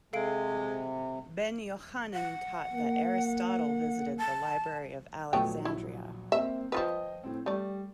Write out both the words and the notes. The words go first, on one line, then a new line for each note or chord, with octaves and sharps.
Ben-Jochannan taught that Aristotle visited the Library of Alexandria.
C3 G#3 A4 F5 D7
F#5
A#3
A5
A#1 F#3 A3 B3 G5
E4
A#3 C4 E5
F3 F4 B4 D#5 G5 D#6
A2 C4
G3 A3 D5